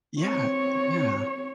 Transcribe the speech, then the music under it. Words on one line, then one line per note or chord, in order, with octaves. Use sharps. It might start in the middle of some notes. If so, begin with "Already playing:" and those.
Yeah, yeah.
C4 C#5